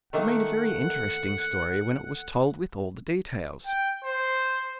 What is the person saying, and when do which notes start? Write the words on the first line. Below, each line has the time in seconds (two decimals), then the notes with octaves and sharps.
It made a very interesting story when it was told with all the details.
0.13 D#3 A3 A#3 F#5
3.66 G5
4.04 C5